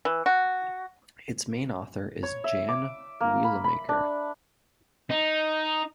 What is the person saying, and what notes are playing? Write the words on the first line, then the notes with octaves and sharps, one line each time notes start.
Its main author is Jan Wielemaker.
E3
F#4
C#5
E5
D6
A#3
B5
B5
D4
D#4